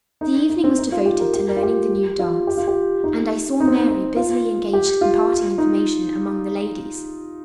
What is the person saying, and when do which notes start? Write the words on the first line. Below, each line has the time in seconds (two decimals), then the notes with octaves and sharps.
The evening was devoted to learning the new dance, and I saw Mary busily engaged imparting information among the ladies.
0.21 D#4
0.50 D#4
0.64 C4
0.78 D#4
0.92 F4
1.06 G4
1.20 A#4
1.34 G4
1.48 A#4
1.56 F4
1.63 G4
2.19 F4
2.47 G4
2.57 F4
2.68 G4
3.04 D#4
3.60 D#4
3.67 C4
3.75 D#4
3.88 D#4
4.16 F4
4.73 G4
5.01 F4
5.58 D#4